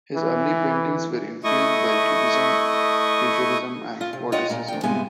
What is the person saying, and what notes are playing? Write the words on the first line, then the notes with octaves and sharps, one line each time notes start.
His early paintings were influenced by cubism, futurism and vorticism.
E3
A3 E4 D#5 C#6 D#6
F4
C3
F4 C#5 D#5 F#5 G5
A#2 A#3
D2 G5
G2 C3 G#3 B3 E4 G#5